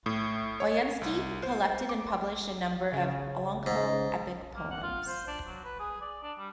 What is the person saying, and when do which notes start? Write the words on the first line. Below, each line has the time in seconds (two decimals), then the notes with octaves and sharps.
Oyunsky collected and published a number of Olonkho epic poems.
0.06 A2
0.60 C#5
1.01 C2
1.43 C5
1.89 D6
2.92 C#3
3.66 G#2
4.55 A#3
4.71 F#5
4.83 F4
5.07 C5
5.27 D4
5.45 F#3
5.64 B4
5.79 G#4
6.01 D5
6.23 D4
6.38 G3